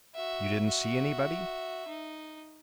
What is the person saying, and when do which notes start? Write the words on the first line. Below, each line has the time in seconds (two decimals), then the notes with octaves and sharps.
"You didn't see anybody?"
0.14 F#4 E5
0.66 F#4 E5
1.88 D#4